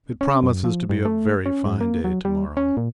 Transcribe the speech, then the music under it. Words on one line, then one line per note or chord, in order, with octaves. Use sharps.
It promises to be a very fine day to-morrow.
C#4
F#2
F3
G2
A3
C#4
G#2
A#3
F#3
G3
C#4
A#2